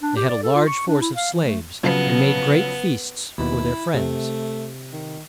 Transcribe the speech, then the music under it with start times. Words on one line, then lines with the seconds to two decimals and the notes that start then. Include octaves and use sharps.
They had a large force of slaves, and made great feasts for their friends.
0.02 D4
0.16 G4
0.29 D5
0.42 A4
0.55 F4
0.67 C#6
0.88 D4
1.01 E4
1.16 F5
1.34 E3
1.45 A3
1.83 C#3 F3 F#3 B3
3.38 D#2 B2 E4
3.94 C3 A3
4.92 D#3